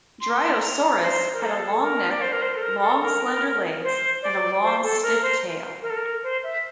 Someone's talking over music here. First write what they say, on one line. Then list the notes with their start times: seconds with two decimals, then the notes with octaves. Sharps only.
"Dryosaurus" had a long neck, long, slender legs and a long, stiff tail.
0.21 C6
0.60 A#5
1.00 C5
1.34 A#4
1.41 A4
1.82 A#4
2.10 D5
2.21 C5
2.32 A#4
2.42 C5
2.55 A4
2.62 A#4
2.81 A4
2.97 A4
3.02 A#4
3.83 C5
4.23 D5
4.62 C5
4.83 A4
5.03 A#4
5.23 C5
5.82 A#4
5.90 A4
5.97 A#4
6.23 C5
6.43 E5